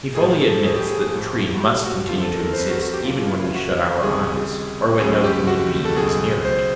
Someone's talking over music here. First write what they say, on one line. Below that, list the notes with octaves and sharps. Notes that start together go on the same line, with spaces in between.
He fully admits that the tree must continue to exist even when we shut our eyes or when no human being is near it.
A2 F3 G#4
A4
G#4
G4
G#4
A2 F3
F#4
G4
F#4
F2 D3 F3 F4
A4
A#4
A#4
C5
B4
F#4
F#4
G4
D#2 C#3 F#3 F4
F4
E4
F4
F#4
C#2 C3 D#3 G3 G#4
C#2 C#3 F#3 G#4
G4
F#4
A4
C#2 B2 F#3 G#4
C5